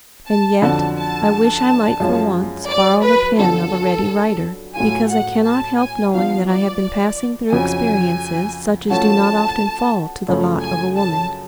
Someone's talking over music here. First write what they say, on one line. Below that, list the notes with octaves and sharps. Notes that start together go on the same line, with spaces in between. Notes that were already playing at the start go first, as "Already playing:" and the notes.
And yet I wish I might, for once, borrow the pen of a ready writer; because I cannot help knowing that I have been passing through experiences such as do not often fall to the lot of a woman.
A5
F2 D3 F#3 A5
A5
F#2 F3 G#3 C#4 F4
D5
B4
F#2 D3 F3 B3 F4 A4
A2 F#3 A3 F4 G#5
F#5
A5
G#5
F3 B3 D4 F5
D5
F2 C#3 F#3 C#4 G#5
F3 A3 C#4 F#4 A5
F#2 C#3 F3 A3 C#4
G#5
A5